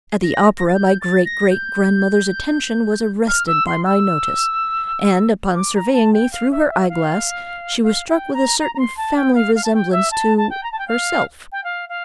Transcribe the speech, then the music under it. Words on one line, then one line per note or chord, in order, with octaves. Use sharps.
At the opera, my great, great, grandmother's attention was arrested by my notice; and, upon surveying me through her eye-glass, she was struck with a certain family resemblance to herself.
A#6
A#6
A6
G6
A6
A#6
G6
F6
E6
C6
E6
D6
A#5
A5
G5
F5
E5
E5
F5
F5
G5
A#5
A#5
A#5
C6
A5
G5
F5
F5
A5
G5
E5
A5
A5
G5
A#5
A5
G5
F5
G5
F5
F5